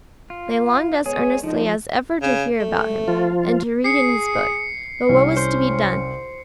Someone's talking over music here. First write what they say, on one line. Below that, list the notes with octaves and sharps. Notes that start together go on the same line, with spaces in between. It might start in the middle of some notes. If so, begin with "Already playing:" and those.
They longed as earnestly as ever to hear about Him, and to read in His Book; but what was to be done?
F4
G#3 B3 G#4 C#5
D3 F3 G#3 D#4
C#3
A3
F3 F4
G#4 C7 C#7
C2 C#4
C5